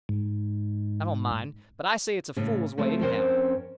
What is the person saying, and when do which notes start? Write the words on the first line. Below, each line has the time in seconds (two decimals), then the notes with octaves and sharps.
I don't mind; but I say it's a fool way, anyhow.
0.09 G#2
2.36 A2 C#3
2.78 C#3 F3 A3 C4
3.01 F2 C4 C#4 A#4 C5